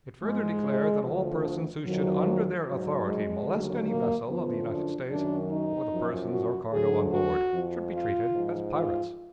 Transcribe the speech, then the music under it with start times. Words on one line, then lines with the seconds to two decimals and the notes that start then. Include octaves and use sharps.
It further declared that all persons who should under their authority molest any vessel of the United States, or the persons or cargo on board, should be treated as pirates.
0.23 G#2 F3 G#3
1.04 D2 D3 F3
1.85 F2 D#3 F#3
2.67 G#2 F#3
3.07 G#3
3.47 D#2 D3 F#3
3.89 A#3
4.28 F#2 D3 F3 B3
4.70 D4
5.10 F#2 D#3 F#3 D4
5.50 D#4
5.91 F#2 F3
6.32 F#4
6.72 D2 D3 F#3 G#4
7.12 F#4
7.53 F2 F3
7.94 F4
8.34 G#2 F3
8.75 F4